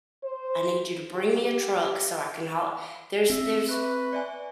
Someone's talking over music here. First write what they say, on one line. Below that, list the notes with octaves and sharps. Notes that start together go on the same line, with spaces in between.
"I need you to bring me a truck so I can haul a" There's there's
C5
G4
C4 E5
B4 E5 C#6 F#6
D5 E5 G#5